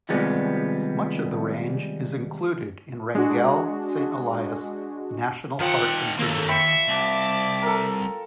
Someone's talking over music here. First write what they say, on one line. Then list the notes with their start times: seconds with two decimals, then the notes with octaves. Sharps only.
Much of the range is included in Wrangell-Saint Elias National Park and Preserve.
0.09 D#2 C3 F3 G3 G#3 B3
3.15 G#3 D4 F#4
5.60 D#3 F3 F#5 G5 C#7
6.19 D#2 A#3 A4 A#4
6.48 E5 G5 B5 C#6 C#7
6.88 C2 A5 D6
7.62 A4 A#4